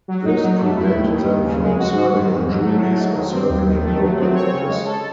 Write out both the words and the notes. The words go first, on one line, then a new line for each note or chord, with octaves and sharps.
This prevented them from serving on juries or serving in local office.
F#3
D#4
F#3
A3
E4
D#2
D#3
D#2
C#3
G#3
F#4
G#2
D#3
G#2
F#3
A3
F#3
G#2
D#3
C4
D#2
D#3
A3
F#3
C4
C#5
C#3
G#3
A4